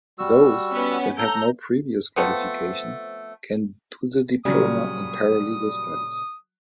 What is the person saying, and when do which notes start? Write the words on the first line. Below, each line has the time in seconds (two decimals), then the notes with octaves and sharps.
Those that have no previous qualification can do the Diploma in Paralegal Studies.
0.19 G3 F#4 E6
0.72 B3 C#4
1.18 A4 A#5 G6
2.16 F3 A3 B3 C4
4.45 A#2 C#3 F#3 G3 D#6